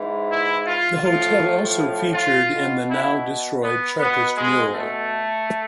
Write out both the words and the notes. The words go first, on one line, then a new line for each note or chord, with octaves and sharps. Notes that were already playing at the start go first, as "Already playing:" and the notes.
The hotel also featured in the now-destroyed Chartist Mural.
Already playing: G#2 E3
E4
F4
A2 F3 F4
F4
B2
E4
B3
B2 B3
G#3
A3